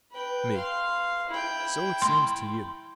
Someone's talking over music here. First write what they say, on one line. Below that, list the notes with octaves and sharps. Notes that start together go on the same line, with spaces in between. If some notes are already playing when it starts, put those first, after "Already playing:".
ME: So it seems to you.
B4 G5
F5 C6
E4 G5
C6